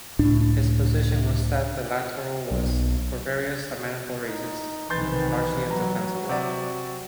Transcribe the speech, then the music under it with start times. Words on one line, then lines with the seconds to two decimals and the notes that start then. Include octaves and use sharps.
His position was that the Litoral was, for various lamentable reasons, largely indefensible.
0.19 C#2 A2 D4
2.51 B1
4.28 D#4
4.90 B1 C3 D#3 E3 B4 C6 G6 A6
5.71 F#3 A#5
6.29 C3 F#4 D5